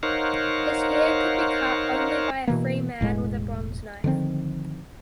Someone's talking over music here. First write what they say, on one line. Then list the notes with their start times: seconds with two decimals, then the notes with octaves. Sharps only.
His hair could be cut only by a free man with a bronze knife.
0.03 D#4 A#4 C5 C#5 F5 F#5
2.48 B2 E3 A#3
3.01 E1 A2 G#3
4.04 D3 D#3 F3 C4